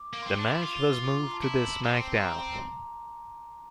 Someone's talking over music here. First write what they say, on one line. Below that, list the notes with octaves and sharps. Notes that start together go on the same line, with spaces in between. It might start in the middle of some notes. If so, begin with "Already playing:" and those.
The match was moved to the SmackDown!
Already playing: D6
A#3
C4 C6
D4
E4
F4 D6
D6
C6
A#5
A5
E4
C4
A#5